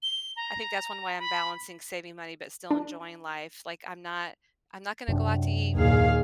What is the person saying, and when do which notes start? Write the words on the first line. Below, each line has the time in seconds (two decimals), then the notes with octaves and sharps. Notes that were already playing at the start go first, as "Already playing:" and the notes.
I think that's one way I'm balancing saving money, but still enjoying life, like, I'm not I'm not gonna go out to eat,
0.03 G7
0.36 A#5
1.19 B5
2.71 D4
5.08 F#2 C3 D4
5.75 D#2 A#2 G#4 F5